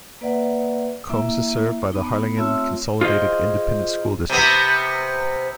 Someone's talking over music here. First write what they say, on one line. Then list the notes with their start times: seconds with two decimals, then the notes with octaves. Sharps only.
Combes is served by the Harlingen Consolidated Independent School District.
0.21 A#3 B4 D5 E5 F#5
1.09 A#3 E4 E5
1.92 B3 D#4
2.37 A3 C4 F4 C#5 E5 E6
3.01 F4 G#4 C5 D#5
4.30 C3 B3